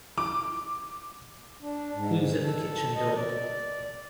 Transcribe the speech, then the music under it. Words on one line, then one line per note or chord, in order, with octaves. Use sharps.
Who's at the kitchen door?
D6
D4
G#2
A4
D#5
D5